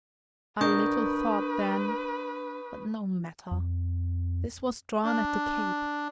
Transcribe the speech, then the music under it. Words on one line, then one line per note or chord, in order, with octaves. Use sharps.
I little thought then--but no matter. This was drawn at the Cape.
D4 A#4 B4 C#6 D#6 G6
F2
D4